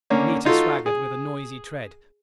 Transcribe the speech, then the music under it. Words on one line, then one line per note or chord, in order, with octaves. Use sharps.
Anita swaggered with a noisy tread.
D3 A#3 C#4
D#4 F4 F#4 A4
G#4